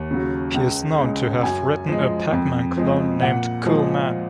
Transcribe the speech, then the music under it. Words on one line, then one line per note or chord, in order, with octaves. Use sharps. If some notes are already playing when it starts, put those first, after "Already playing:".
He is known to have written a "Pac-Man" clone named "Cool Man".
Already playing: D#2
C#3 F#3
C#2
C#3 G#3
F#2 G#5
F3 G#3
F2
F3 G#3
A#2 F#5
F3 G#3